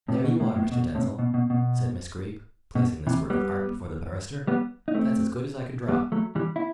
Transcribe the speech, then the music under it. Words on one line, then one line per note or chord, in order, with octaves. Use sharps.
"There you are, Mr. Denzil," said Miss Greeb, placing this work of art before the barrister, "that's as good as I can draw."
A2 C3
B2
A2
A2
B2
A2 C3
B2
B2
B2
B2
C3 E3
G3 B3
G3 B3
D#4
A3 C4
G3 B3
F#3 A3
E3 G3
E4